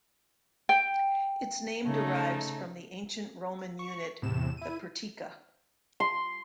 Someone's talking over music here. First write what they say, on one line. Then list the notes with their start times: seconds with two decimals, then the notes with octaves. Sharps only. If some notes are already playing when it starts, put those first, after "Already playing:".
Its name derives from the Ancient Roman unit, the "pertica".
0.69 G5
1.84 C#3 A3 D#4
3.79 C#6
4.22 E2 A2 C3 E7
4.57 E4 D#7
6.00 C6